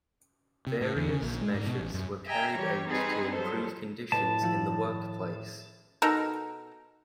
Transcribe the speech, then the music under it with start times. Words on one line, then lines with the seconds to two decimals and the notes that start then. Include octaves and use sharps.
Various measures were carried out to improve conditions in the workplace.
0.67 C3
0.81 A2
0.96 E2
1.09 C#3
1.22 A#1
1.41 G#3
1.54 G#2
1.66 B2
1.79 A1
1.94 F#2
2.25 D#5 E5 G5 G#5 A#5
2.56 E3 G3 G4 C#5
2.88 G3 C4 D#4 G#4 B4
3.34 F#3 G3 A4 C5
4.12 A2 B4 A5
4.42 D#3 F3 E4
6.02 B2 D#4 A4 A#4